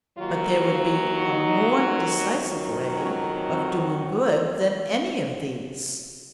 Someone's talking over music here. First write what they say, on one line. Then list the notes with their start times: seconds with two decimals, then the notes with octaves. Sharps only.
But there would be a more decisive way of doing good than any of these.
0.17 D#2 D#3 F#3 F4
0.72 F4
1.28 D#4
2.38 F2 D#3 F#3
2.93 C#4
3.48 C4